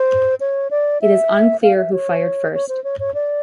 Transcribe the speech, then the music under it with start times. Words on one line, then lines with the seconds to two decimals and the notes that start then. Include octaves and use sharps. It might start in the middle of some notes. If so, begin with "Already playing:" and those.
It is unclear who fired first.
Already playing: C5
0.40 C#5
0.71 D5
1.02 E5
1.62 F5
1.77 E5
1.93 C#5
2.54 C#5
2.69 C5
2.84 C#5
3.00 C#5
3.14 D5